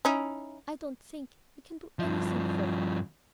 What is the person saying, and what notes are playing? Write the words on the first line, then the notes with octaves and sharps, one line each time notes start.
"I don't think--we can do anything for him."
C#4 D#4 E4
G2 F3